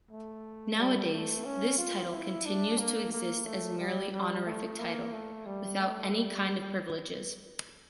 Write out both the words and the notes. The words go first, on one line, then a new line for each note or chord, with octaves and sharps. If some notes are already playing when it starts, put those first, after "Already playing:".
Nowadays this title continues to exist as a merely honorific title, without any kind of privileges.
A3
G3
A3
C#4
F4
E4
D4
A#3
A#3
A3
G3
G3
A3
A#3
A3
G3
A3
G3